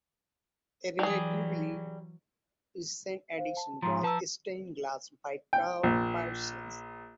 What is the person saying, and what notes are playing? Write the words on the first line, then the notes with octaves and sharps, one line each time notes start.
A relatively recent addition was stained glass by Karl Parsons.
E3 F#3 G3 G#4
C5 F5
A5
G#2 F3 A#5 C6
F3 B4 A5 A#5 E6
G5
A#1